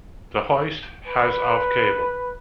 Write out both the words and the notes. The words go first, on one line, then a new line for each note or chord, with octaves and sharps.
The hoist has of cable.
B4